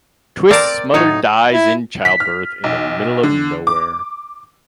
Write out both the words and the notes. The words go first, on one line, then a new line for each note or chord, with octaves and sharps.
Twist's mother dies in childbirth in the middle of nowhere.
C4 A#4 D5 A5
A2 F#3 D#4 C#5
E4
B6
F6
B1
D3
D6